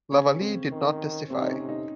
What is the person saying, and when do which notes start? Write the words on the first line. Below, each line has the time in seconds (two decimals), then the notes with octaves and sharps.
Lavallee did not testify.
0.12 C#3 C#4
0.41 C4
0.71 D#3
1.30 C3 C4
1.41 D#4
1.49 C#4
1.59 C3
1.69 D#4